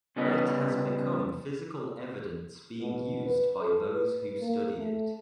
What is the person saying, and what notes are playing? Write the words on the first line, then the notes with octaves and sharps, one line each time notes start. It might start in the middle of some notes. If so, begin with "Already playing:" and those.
It has become physical evidence being used by those who study it.
C#2 G3 B3 C#4 B4 D#5
B2
B4
A4
B4
A#3
A3